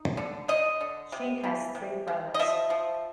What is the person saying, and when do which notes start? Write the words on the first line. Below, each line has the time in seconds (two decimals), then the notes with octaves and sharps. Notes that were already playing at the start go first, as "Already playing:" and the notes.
She has three brothers.
Already playing: D#4
0.17 D3
0.48 D3 D#5
0.81 D3
1.12 C3
1.44 E3
1.75 C3
2.08 C3
2.34 D#5
2.39 F3 E5
2.70 F3